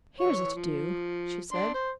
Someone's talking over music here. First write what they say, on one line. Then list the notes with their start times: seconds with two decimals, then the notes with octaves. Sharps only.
"Here's a to-do," she said.
0.19 E3 C#5
0.55 F3
1.52 D4 C6
1.74 C5